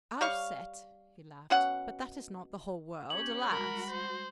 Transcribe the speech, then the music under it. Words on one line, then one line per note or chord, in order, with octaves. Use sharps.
"Our set," he laughed, "but that is not the whole world, alas!"
G3 C#5 F5 C#6
B2 C#4 F#5
C#4 G4 C#5 F#7
G3 G#3 F#4 A#4 B5
C5